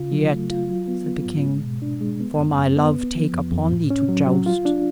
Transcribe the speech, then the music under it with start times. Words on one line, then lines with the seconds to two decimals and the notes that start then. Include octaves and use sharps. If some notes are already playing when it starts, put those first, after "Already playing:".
Yet, said the king, for my love take upon thee to joust.
Already playing: C#3 F4
0.12 F#3
0.32 A3
0.50 F4
0.69 F#3
0.88 B3
1.07 B3
1.25 G#2
1.45 G#3
1.64 B2
1.82 D4
2.01 G#3
2.20 B3
2.38 F#2
2.58 F#2
2.77 B3
2.95 B3
3.15 F3
3.33 F2
3.52 F2
3.71 A2
3.90 C#4
4.09 F#3
4.27 F#3
4.46 F4
4.65 D4